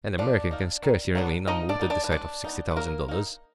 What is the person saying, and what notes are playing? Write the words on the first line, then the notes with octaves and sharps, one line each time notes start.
An American can scarcely remain unmoved at the sight of sixty thousand dollars.
F3 D4 D5
A#3 D#4
D#3
F#3 B3 D4
F3 D#4 D#5
D4 D5
B3 D#4
D4 D5
B4
G#3 D4 D5
B3 D#4
B4
F#3 A#3 A#4
A#3 D#4